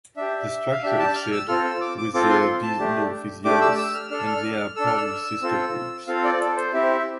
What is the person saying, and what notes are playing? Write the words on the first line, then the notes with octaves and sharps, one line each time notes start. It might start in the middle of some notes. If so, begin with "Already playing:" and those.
This structure is shared with the Dinophysiales, and they are probably sister groups.
D4 G4 E5
F5
D4 G4 E5
A5
F6
E6
C4 F4 A4 F6
E6
D6
D6
C4 F4 A4 D6
C6
A5
A3 D4 G4
A3 D4 G4 D6
E6
E6
F6
D4 A4 F6
E6
F6
D4 A4 E6
F6
E6
C4 F4 A4
C4 F4 A4 F5
D5
A4
C5
C4 E4 G4 E5